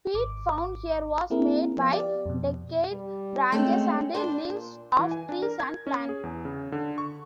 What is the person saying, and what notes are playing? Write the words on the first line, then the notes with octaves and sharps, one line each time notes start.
Peat found here was made by decayed branches and leaves of trees and plants.
G#1 D6
A#3 C4 E4 G#4 A#4
F3 B3 F5
G4 D5
F2 B2
G3
G#3 A3 C4 C#4
D4 C5
A#2
E3
G#5
D4
A#4
G#6
C#4
G#4
E2
C#3
D3
C#6